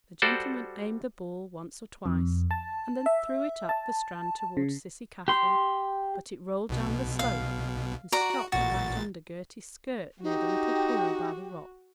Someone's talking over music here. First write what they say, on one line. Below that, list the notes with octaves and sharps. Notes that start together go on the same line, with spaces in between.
The gentleman aimed the ball once or twice and then threw it up the strand towards Cissy Caffrey but it rolled down the slope and stopped right under Gerty's skirt near the little pool by the rock.
G3 F#4 A4 C5 D5
F2
A5
E5
A5
C#3
G4 C6
B1 B2
F5
F#4 D5 A#5
A1 A#2 F#4 A6
D#4 F#4 G4